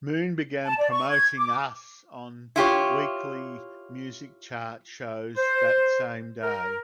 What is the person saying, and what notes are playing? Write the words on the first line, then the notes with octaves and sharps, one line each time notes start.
Moon began promoting "Us" on weekly music chart shows that same day.
A5
D5
C#6
G#6
D6
E4 F4 G4 C#5
C5
A#4